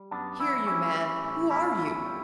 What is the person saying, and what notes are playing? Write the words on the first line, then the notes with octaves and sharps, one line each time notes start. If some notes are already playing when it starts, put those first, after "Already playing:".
Here, you man, who are you?
Already playing: G3
F#2 B3 D4
E3 C#4 E4
G3 C#4 E4
G3
A2
E2 C#4 E4
E2
G3